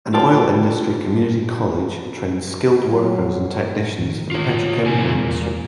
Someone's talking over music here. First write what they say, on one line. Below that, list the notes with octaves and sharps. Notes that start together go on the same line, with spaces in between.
An Oil Industry Community College trains skilled workers and technicians for the petrochemical industry.
F4 G5 A5
F#3
A1 D#3 A#3
F4 C#5
F#2 C3 D#3 G#5
E2 A#2 G#3